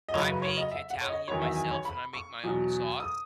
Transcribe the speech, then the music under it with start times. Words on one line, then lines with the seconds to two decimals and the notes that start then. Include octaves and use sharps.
I make Italian myself, and I make my own sauce.
0.09 D#5
0.14 F#2 C#3 F#3 C#5
0.27 B4
0.42 C#5
0.57 D#5
0.71 E5
0.90 F#5
1.01 C#5
1.09 D#5
1.28 E2 D#3 F#3 C#5
1.42 E5
1.56 G#5
1.71 C#5
1.85 B5
2.13 C#6
2.43 E2 B2 F#3
3.00 D#6